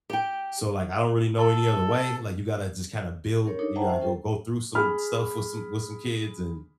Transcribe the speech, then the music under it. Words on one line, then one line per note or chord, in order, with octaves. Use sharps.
so like, I don't really know any other way, like you gotta, just kind of build you gotta go go through some stuff, with some with some kids and
G4 G5
A4
C#4 G4 A#4 C#5
D4 D#4 A4 C#5
C5 E5 F#5 G5 A5 A#5
C#4 C5
F4 A4 G5
G#4 B5 F6